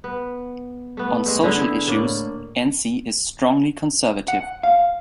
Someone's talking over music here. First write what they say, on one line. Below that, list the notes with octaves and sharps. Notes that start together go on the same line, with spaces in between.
On social issues, Enzi is strongly conservative.
B3
A3 B3
G#3 A3
D3 E4 G#4 A4
A2 A#3 D5
F#5
F5